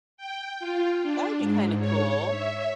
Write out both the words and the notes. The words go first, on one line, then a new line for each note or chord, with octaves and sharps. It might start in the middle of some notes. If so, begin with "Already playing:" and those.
That would be kinda cool.
G5
F4
D4
G#2
C#5
E5